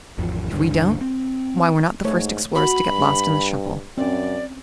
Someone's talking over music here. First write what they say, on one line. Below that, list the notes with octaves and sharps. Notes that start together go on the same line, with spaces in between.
If we don't, why, we're not the first explorers to get lost in the shuffle.
G#1 E2 F3
C#2 G2 D3
C4
G#2 A3 C#5
F#4 B5
G2
F#2 C4 C#4 D5